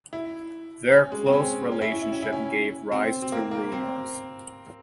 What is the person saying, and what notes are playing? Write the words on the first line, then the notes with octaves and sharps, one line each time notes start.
Their close relationship gave rise to rumors.
E4
C#4
G#3
C4
C#4
C#4
E4
C#4
E4
C#4
E4
C#4
C4
C4
A#3
A#3
C4